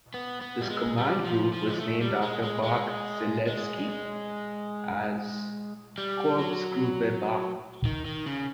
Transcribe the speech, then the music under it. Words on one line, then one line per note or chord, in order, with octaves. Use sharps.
This command group was named after Bach-Zelewski, as "Korpsgruppe Bach".
B3
B3
G3
G#3
G3
F3
F3
G#3
A3
G3
G#3
G#3
G#3
G#3
G3
F#3
D#3
D#3
C#3